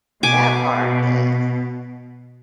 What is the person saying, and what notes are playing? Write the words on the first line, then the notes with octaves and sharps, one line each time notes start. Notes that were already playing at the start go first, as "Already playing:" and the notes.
That part, yes.
B2 G#5 D6